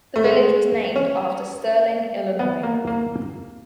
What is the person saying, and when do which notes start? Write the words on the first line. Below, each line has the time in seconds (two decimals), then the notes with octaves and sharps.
The village was named after Sterling, Illinois.
0.16 A3
0.24 G#3
0.96 C#4
2.39 B3
2.63 A#3
2.87 A#3